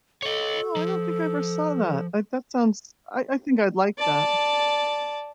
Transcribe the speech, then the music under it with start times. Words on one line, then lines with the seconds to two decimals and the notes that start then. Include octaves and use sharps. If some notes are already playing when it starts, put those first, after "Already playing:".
Oh, I don't think I ever saw that. I that sounds I I think I'd like that.
0.22 A4 C#5 D#5
0.76 F3
3.98 D5 A5